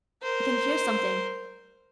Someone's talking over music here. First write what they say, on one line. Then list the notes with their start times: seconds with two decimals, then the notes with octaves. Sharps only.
"I can hear something!"
0.22 A#4 C5